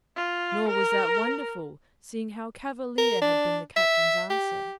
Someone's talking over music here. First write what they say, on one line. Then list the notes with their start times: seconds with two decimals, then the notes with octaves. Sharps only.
Nor was that wonderful, seeing how cavalier had been the captain's answer.
0.16 F4
0.68 A#4
2.98 A#4
3.22 D4
3.76 E5
4.30 G4